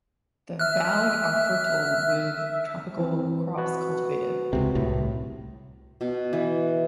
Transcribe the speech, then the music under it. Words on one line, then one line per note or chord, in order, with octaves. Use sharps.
The valley are fertile, with tropical crops cultivated.
E5 F6 F#6
E3 C4
F#4 B4
C#2 C3
C2 A2
B2
E3